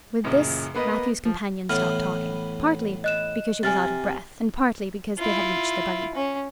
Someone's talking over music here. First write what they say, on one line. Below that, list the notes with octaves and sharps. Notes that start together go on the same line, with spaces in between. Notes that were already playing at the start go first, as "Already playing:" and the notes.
With this Matthew's companion stopped talking, partly because she was out of breath and partly because they had reached the buggy.
A1 F#2 A#2 C#3
A#3 B3 B4 D#5
F3
A2 E3 B3 F6
D#5 F#6 E7
C3 G#5 F6 A6
E4 F4
C#4